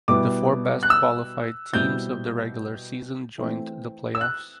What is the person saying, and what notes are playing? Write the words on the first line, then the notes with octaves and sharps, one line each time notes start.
The four best qualified teams of the regular season joined the playoffs.
B2 G3 B3 E4 D6
F#6
E6
B2 G3 C4 E4 G6
E3 A3 C4
E6
F#6